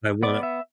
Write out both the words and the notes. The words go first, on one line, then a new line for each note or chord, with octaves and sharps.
I wanna"
B3 D5
E5